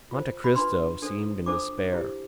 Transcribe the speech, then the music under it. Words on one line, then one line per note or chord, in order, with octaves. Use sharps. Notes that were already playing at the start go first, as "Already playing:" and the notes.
Monte Cristo seemed in despair.
F4 C5
B5
D4 F4 B4 C6
D4 A4 C5
D4 F4 A4 C5 D6
E4 G4 C5